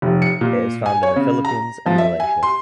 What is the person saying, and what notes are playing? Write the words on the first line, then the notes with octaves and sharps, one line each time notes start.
It is found in the Philippines and Malaysia.
F1
C#7
A#2
G#5
C#5
C#3
A#5
F3
E5
G#5
C6